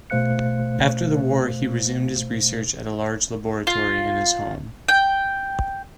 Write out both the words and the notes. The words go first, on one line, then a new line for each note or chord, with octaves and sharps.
After the war, he resumed his research at a large laboratory in his home.
B2 A3 C5 F5 F#6 C#7
F4
G5